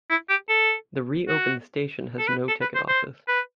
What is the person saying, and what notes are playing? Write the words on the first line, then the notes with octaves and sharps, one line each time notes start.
The reopened station has no ticket office.
E4
G4
A4
F#4
A4
B4
A4
B4
C5
C5
B4